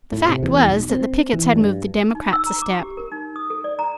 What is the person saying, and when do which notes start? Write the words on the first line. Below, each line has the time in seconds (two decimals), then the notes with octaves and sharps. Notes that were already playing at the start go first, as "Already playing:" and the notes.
The fact was that the pickets had moved the Democrats a step.
0.12 A2
0.28 C3
0.43 E2
0.67 B1
0.90 C4
1.33 E3
1.54 G2
2.15 D#4
2.33 E6
2.47 A#5
2.62 D6
2.80 G4
2.97 A#4
3.12 D#4
3.36 D#6
3.50 A4
3.64 D5
3.79 A#5